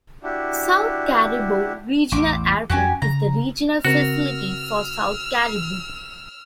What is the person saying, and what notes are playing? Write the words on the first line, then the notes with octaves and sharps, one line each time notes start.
South Cariboo Regional Airport is the regional facility for the South Cariboo.
D4 E4 F#4 G4
A1 E2 D6
F2 C#4 F#4 G4 G#5
C#3 A#5
C#3 C4 F#4 A#4 E6 F6